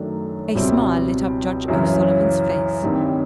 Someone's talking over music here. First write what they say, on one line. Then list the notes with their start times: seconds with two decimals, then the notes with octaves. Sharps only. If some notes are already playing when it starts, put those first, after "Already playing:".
A smile lit up Judge O'Sullivan's face.
Already playing: F#2 D#3 F#3 A3 D4
0.55 C#2 B2 G3 C4 E4
1.68 F#2 C#3 E3
2.83 G2 D#3 G3 C4 D#4